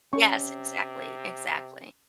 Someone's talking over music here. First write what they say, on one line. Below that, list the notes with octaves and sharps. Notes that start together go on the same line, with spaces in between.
yes, exactly. Exactly.
C3 C#4 C#6